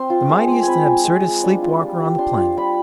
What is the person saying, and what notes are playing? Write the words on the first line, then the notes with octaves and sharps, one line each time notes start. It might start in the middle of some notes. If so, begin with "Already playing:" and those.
The mightiest and absurdest sleep-walker on the planet!
Already playing: C4 C6
F4
G#3
G#3
C4 G#5 B5
F4
G#3
G#3
D4
F4
G3
G3
D4 C6
F4
G3 B5